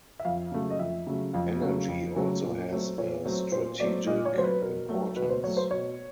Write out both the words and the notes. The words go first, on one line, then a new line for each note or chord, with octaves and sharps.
Energy also has a strategic importance.
E5
F2 F5
C#3 F#3 A3
D#5
F2 E5
C#3 F#3 A3
F2 F5
C#3 F#3 A3
F2
C#3 F#3 A3
A#2
F#3 A3 C4
A#2 C#5
F#3 A3 C4
A#2 C5
F#3 A3 C4 D5
A#2 D#5
C#5
F#3 A3 C4 C5
B4
B2 A#4
F#3 A3
B2 B4
C5
F#3 A3 C#5
C5
B2 C#5